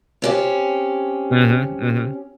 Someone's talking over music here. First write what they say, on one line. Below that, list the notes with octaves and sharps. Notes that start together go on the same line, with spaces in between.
Mhm, mhm.
C4 C#4 G4